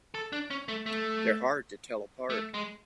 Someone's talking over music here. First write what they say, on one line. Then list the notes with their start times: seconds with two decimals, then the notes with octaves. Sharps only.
They're hard to tell apart.
0.15 A4
0.33 D4
0.50 C#4
0.68 A3
0.86 A3
2.30 A3
2.54 G#3